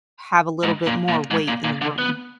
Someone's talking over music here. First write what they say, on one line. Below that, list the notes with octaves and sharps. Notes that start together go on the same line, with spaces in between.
have a little bit more weight in the room.
G#2
A#2
A#2
G#2
A#2
A#2
D3
B3